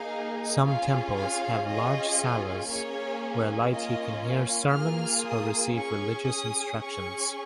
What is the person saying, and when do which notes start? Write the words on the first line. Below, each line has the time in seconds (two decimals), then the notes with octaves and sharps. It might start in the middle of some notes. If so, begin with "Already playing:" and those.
Some temples have large salas where laity can hear sermons or receive religious instructions.
Already playing: A#3 D#4 G#4 F5
0.64 C#4 F4 G#4 F5
1.15 F5
1.67 C#4 F4 G#4 D#5
2.68 A#3 C#4 G#4 C#5
3.71 A#3 C#4 F4 D#5
4.73 A#3 F4 G#4 F6
5.24 D#6
5.75 C#4 G#4 C#6
6.26 D#6
6.78 C#4 G#4 C#6